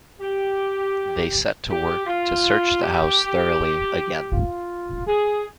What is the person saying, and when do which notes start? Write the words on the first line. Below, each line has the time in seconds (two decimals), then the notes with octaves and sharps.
They set to work to search the house thoroughly again.
0.20 G4
1.69 G4
2.07 F4
2.81 G4
4.32 F4
5.06 G#4